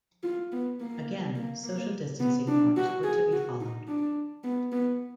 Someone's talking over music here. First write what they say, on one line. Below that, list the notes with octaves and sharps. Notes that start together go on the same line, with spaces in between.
Again social distancing norms were to be followed.
F4
B3
A#3
A#3
A#3
B3
D4
F#4
G#4
F#4
D#4
D4
B3
B3